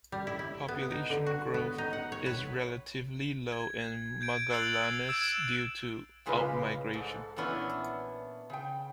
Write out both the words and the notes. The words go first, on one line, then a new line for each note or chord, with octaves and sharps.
Population growth is relatively low in Magallanes due to outmigration.
G3
E4
E4
B3
D#4
D3
F#4
B3
D#4
F#5
C#5
B4
G#6
G6 G#6 D7
E6 F#6 A6 C7 F7 F#7
E6 G#6 D7 E7
E7
A#2 C#3 G#3 F4 A#4 B4
G#2 A4
A#2 E3 B3 C#4 D4 E4
C#3 G5